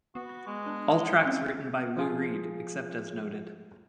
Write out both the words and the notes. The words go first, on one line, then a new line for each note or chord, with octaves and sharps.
All tracks written by Lou Reed except as noted.
B3 F#4
G#3
D4
G7
C4 C#4
F3 F4 G#4